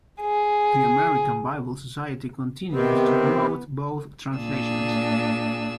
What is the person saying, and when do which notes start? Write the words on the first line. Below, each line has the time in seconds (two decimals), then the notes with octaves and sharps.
The American Bible Society continues to promote both translations.
0.22 G#4
2.74 C3 D#3 B3 C4 G4
4.35 A#2 D4 G#4 E6